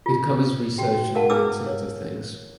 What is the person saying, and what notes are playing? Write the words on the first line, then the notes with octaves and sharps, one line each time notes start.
It covers research on the Internet of things.
F4
F#4 G5
A#4 F5 F#5 A5
D4 E4 G#4 B4 D6 E6
C#5